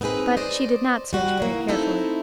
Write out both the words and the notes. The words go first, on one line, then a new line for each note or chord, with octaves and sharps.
But she did not search very carefully.
B3 C4 D#4 G#4 B4
C5 D5 D#5
G3 F#4
D#3 E3 A#3
A3 C4 D#4 E4 A4 C5